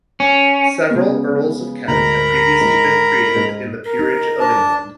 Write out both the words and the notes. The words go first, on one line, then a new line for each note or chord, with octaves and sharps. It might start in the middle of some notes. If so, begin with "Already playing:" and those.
Several Earls of Kent had previously been created in the Peerage of England.
C#4
C#3 G#3 B3
D2 G#2 A#4 A#5 B5
G#2
G#2
A#4
D#4
D4 A5